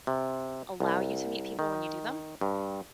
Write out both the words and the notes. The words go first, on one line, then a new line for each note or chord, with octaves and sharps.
allow you to meet people when you do them?
C3
C2
D#3
G2